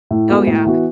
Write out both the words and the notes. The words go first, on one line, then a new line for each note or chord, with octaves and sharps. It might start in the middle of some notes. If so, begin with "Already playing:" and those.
Oh, yeah.
A2
G#3 B3 F#4 A4
A2
E3 B3 F#4